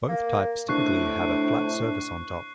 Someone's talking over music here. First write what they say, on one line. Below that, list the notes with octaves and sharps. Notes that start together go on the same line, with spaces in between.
Both types typically have a flat surface on top.
A#3
A2 C3 D4 C#6 F#6 C7